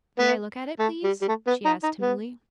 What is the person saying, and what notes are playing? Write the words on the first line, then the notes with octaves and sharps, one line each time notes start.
"May I look at it, please?" she asked timidly.
B3
A3
G3
G3
A3
B3
D#4
D#4
B3